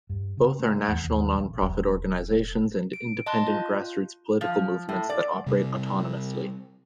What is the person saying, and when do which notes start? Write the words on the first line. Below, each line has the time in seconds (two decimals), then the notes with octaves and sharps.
Both are national nonprofit organizations and independent grassroots political movements that operate autonomously.
0.10 G2
0.37 C#3
0.59 A3
0.88 E2
1.04 D#2
1.34 A#1
1.61 E1 F#3
2.93 D7
3.26 D#5 A5 C6 F#6
3.48 F4
4.41 F3
4.89 A2
5.09 D5
5.47 C3 G3